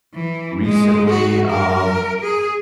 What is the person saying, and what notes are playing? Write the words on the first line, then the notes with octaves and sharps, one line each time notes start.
recently, um,
E3
G#3
F#4
A#4
G#4